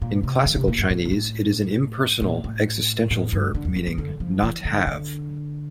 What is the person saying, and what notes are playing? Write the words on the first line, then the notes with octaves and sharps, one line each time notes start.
In Classical Chinese, it is an impersonal existential verb meaning "not have".
A#2
C3
D3
C3
A#2
G2
A2
A#2
A2
A#2
A2
A2
G2
D3
E2
F2
G2
D3
F3
E3
D3
D3